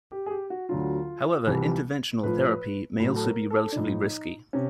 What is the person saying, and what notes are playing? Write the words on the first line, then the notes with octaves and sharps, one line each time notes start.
However, interventional therapy may also be relatively risky.
G4
G#4
G4
F#4
D2 D3 F#3 F4
C2 C3 E3 G3
A2 F3 B4
A2 F#3
A4
A#4
A4
D4
A2 F3 D#4
C3 C#4